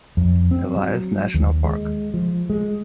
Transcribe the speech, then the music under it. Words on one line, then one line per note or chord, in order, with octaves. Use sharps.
Elias National Park.
F2
C4
F#3
D#2
G#3
F3
G#3